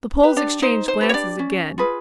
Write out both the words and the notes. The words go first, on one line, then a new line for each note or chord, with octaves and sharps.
The Poles exchanged glances again.
G4 B4
D4 D5
D#4 C5
C5
G4 B4
C#5
D4 D5
C#4
F4 G#4 B4